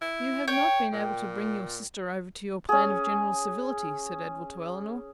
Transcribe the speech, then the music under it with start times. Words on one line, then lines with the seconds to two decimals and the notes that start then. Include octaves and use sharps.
"You have not been able to bring your sister over to your plan of general civility," said Edward to Elinor.
0.01 E4
0.48 C#5 G5
0.93 A#2
2.69 C#4 G#4